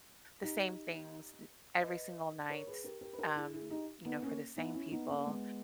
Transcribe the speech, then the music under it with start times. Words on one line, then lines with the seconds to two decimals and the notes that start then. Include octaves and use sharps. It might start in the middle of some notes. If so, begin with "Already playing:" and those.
the same things n every single night, um, you know, for the same people,
0.43 D#4 G4
1.81 B4 D#5
2.50 A#4 C#5
2.67 G#4 B4
2.84 G4 A#4
3.01 G4 A#4
3.13 B4
3.19 G4 A#4
3.36 E4 G#4
3.53 E4 G#4
3.70 D#4 G4
4.05 B3 D#4
4.22 A#3 C#4
4.56 B3 D#4
4.74 C#4 E4
4.91 B3 D#4
5.09 A#3 C#4
5.26 G#3 B3